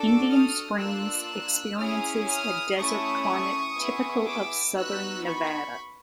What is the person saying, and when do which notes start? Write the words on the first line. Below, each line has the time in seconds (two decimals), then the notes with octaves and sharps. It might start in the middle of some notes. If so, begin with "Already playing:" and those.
Indian Springs experiences a desert climate, typical of southern Nevada.
Already playing: D4 F#4 A4 D6 E6
0.29 D#6 F6
0.78 A#3 D4 F4 E6 F#6
1.78 C#4 E4 G#4 D#6 F6
2.27 D#6 F6
2.77 A3 C#4 E4 C#6 D#6
3.76 B3 E4 G#4
4.25 D6 E6
4.75 B3 D#4 F#4 E6 F#6
5.24 B5 C#6